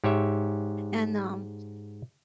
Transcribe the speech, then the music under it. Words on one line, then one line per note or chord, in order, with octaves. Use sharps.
and, um,
G#2 G4 C#5 E5